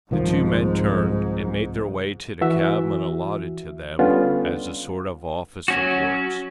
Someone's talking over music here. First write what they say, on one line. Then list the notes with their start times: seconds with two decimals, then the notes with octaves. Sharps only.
The two men turned and made their way to the cabin allotted to them as a sort of office of works.
0.11 C2 G#2 D#3 F3
2.41 E3 F#4 E5
3.99 D3 G3 B3 C#4 F4
5.68 F#3 C#4 F#4